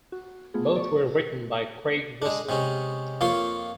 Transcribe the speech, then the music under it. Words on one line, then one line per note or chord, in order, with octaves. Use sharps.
Both were written by Craig Wessel.
F#4
A3 B3 F4 G#4
D5 C#6
G#3 D4
C3 G#3 C#4
F2 A#3 F4 C#5 C6